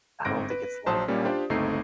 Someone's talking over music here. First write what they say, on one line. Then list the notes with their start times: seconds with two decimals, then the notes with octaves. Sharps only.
eh, I don't think it's like that.
0.25 G1 G#2 C4 A#6 D7
0.50 B4
0.86 A#1 F#3 C5 A5 C6 D#6
1.08 A#2 G3 A#3 C#4
1.25 D4 F4 G4 C5 D5
1.50 G1 C#2 A3 C4 D#4 C7